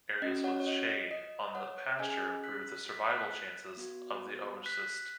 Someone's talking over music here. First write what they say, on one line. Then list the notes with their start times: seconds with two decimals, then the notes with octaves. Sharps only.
Areas with shade on the pasture improve the survival chances of the oocyst.
0.22 C#4 D#5
0.25 F#4
0.44 C#5 F#5
0.60 C#5
0.66 D#5
1.11 D#5
1.55 C#5 F#5
1.99 C#4 G#4 D#5 G#5
2.44 F#6 B6
2.88 B6
3.10 F#6 B6
3.77 B3 F#4
4.66 F#6 B6